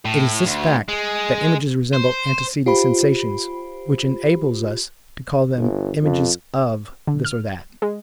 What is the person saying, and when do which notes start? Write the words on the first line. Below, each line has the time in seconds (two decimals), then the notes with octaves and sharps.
It is this fact, that images resemble antecedent sensations, which enables us to call them images "of" this or that.
0.05 A2
0.47 D2
0.89 G#3
1.93 C5
2.66 F4 G4 C5 B5
5.56 G1
6.03 F2
7.07 D3
7.25 F6
7.82 G#3